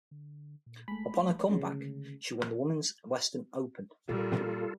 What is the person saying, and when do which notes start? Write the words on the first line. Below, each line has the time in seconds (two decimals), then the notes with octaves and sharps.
Upon her comeback, she won the Women's Western Open.
0.11 D3
0.66 A#2
0.88 E1 G#3 A3 B5
1.51 C#3
1.71 D3
4.09 A#2 G3 F4 A4 A#4